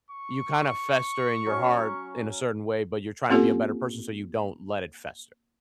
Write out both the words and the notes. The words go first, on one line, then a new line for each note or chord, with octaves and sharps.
you kinda fester in your heart in a certain way, but you're trying to be a better person, so you don't let it fester.
C#6
F#3 C#4
A#3 C4 C#4 F4 G4 A4